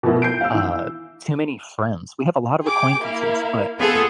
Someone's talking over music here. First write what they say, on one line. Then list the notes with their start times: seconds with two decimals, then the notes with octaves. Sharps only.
uh, too many friends. We have a lot of acquaintances, but
0.03 B2 F3 B3 E4 A#4
0.22 G6 C7 D7
0.41 F5 E6
0.54 E3
2.64 G#4 G5 D6
3.00 A#3 E4 F5
3.79 B3 F4 G#4 A4